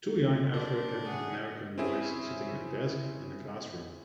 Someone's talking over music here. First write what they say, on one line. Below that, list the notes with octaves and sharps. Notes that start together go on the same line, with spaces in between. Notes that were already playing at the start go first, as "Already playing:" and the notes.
Two young African American boys sitting at a desk in a classroom.
G#3 F4
D4 C5
A3 C#4 G#4 F#5
C4 C#4 E4 G#4